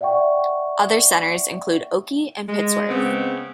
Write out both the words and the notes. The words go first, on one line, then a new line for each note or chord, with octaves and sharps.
Other centres include Oakey and Pittsworth.
D5 E5 F#5 G5 C#6
G#3
C#3 G#3 B3 C4